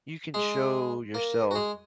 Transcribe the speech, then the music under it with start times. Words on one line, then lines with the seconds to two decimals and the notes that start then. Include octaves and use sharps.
you can show yourself,
0.34 G#3 G#4
1.14 A#3 A#4
1.51 F#4
1.55 G#3 G#4